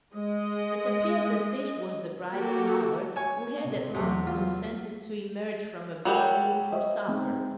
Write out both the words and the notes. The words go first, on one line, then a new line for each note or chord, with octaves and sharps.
It appeared that this was the bride's mother, who had at last consented to emerge from a back room for supper.
G#3 D#5
A#3 F#4 G4 A4
C#5 G#5
C3
E2 C3 F#3
F4
F#3 G3 A#4 C#5 E5
C5 D#5 E5
G#3 C4 D#4